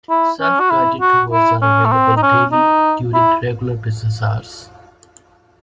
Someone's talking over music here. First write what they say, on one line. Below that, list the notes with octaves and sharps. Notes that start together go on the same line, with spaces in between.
Self-guided tours are available daily during regular business hours.
E4
C#4
F#4
E4
F#4
E4
C#4
A3
C4
D#4
C#4
D#4
E4